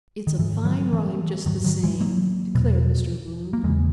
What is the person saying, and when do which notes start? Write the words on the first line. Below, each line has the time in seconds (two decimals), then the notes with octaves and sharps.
"It's a fine rhyme, just the same," declared Mr. Bloom.
0.27 D#3
0.38 G#2 E3
0.65 D#3 F#3
0.93 E3
1.46 G#2 D#3 F#3
1.64 D#3 F#3
1.83 E3 G#3
2.00 F#3 A#3
2.55 E2 B2
3.53 A#3
3.63 E2 C#3 E3 G#3